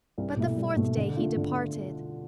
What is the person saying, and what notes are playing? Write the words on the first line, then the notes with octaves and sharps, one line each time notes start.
But the fourth day he departed!
C2
B2 A3 E4
C2
B2 A3 E4
D3
A3 D4 F4
D3